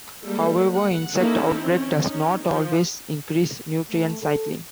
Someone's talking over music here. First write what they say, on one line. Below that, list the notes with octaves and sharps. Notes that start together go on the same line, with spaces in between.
However, insect outbreak does not always increase nutrient cycling.
G3 G#3 A#3 A4
F#5
A#3 C#4 D#4 E4 A4
C4 C#4
C#4 D#4
F3
A3
A4